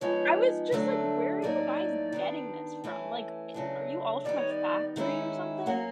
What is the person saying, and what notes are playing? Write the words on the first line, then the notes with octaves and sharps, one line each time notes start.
I was just like, "Where are you guys getting this from?" like, it "Are you all from a factory or something?"
F3 G#3 B3 D#4 C#5
D3 F#3 A3 D4
A2 F#3 A#3 D#4 D5
D#3 G3 B3 D4
E3 A3 C#4
C#3 F#3 A3 D4
D#3 G3 B3 D#4 D5
C#5
D5
D#3 G#3 C#4 E4
F#3 A#3 C#4 F#5